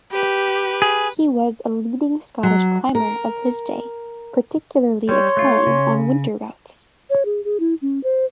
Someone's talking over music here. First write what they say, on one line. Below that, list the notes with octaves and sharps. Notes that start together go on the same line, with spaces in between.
He was a leading Scottish climber of his day, particularly excelling on winter routes.
G4 B4
G#4
F#3
A#4
G3 C#5 C6
A3 F4
C#3
C#5
G#4
G#4
E4
C#4
C5